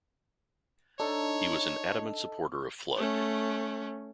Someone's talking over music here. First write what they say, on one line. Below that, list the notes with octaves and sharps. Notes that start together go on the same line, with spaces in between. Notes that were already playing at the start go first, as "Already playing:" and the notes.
He was an adamant supporter of Flood.
D4 D#4 A4 C#5
A3 C#4